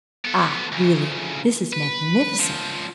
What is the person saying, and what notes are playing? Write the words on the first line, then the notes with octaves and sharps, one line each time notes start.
Ah, really this is magnificent!
B3 A4
D2 C#3
B4
C#2 F3